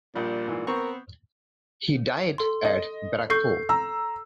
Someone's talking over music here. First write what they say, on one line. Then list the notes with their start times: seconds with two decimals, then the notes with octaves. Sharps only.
He died at Barrackpur.
0.15 A#1 A#2 G3
0.47 G#2 E3
0.67 B3 C4 A#4 C#6
2.38 A4 C6
2.65 D#5
3.30 A4 C#6 G6 C7
3.69 A#5 E6